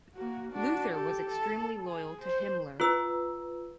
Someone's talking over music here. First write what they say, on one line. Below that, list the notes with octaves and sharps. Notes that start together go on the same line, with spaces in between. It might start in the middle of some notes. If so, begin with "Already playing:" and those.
Luther was extremely loyal to Himmler.
A#3 F#4
D4 F#4
G4 A4
A4
G#4
C5
F4 B4 E6